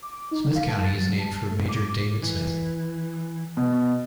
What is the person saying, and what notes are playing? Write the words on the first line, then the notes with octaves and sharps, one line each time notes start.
Smith County is named for Major David Smith.
D6
D#4
F5
A5
A6
F#3
A5
A3
D6
E3
B2